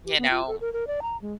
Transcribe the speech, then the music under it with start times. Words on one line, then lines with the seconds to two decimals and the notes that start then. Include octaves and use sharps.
you know,
0.06 G4
0.18 B3
0.31 F4
0.48 A4
0.61 A#4
0.73 A#4
0.87 D5
1.02 A#5
1.22 G#3